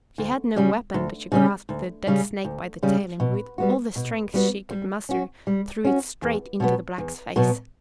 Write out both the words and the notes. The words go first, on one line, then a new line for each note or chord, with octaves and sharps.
She had no weapon, but she grasped the dead snake by the tail and with all the strength she could muster threw it straight into the Black's face.
D2
C#3 G3 C#4
D2
C#3 G3 C#4
D2
C#3 G3 C#4
D2
C#3 G3 C#4
B2
G3 B3 F#4
B2
G3 B3 F#4
G3
C#4 F#4
G3
C#4 F#4
E2
B2 F#3 B3
E2
B2 F#3 B3